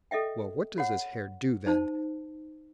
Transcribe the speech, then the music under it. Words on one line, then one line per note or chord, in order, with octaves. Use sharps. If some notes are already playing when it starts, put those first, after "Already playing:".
"Well, what does his hare do, then?"
A4 D#5 E5 G5
F#4 C#5 F#5
D#4 C5 A5